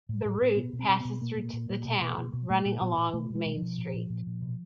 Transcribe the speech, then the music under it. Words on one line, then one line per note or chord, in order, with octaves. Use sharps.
The route passes through the town, running along Main Street.
A2
A2
A2
B2 B3
B2
C4
B2
B2 B3
A#2 A#3
A#2
A#2
A#2
B2
B2
B2
B2
A#2 A3
A#2 A#3
A#2 B3
A#2
B2 A3
B2
G#3
B2
B2 F3
A#2
A#2
A#2
A#2
B2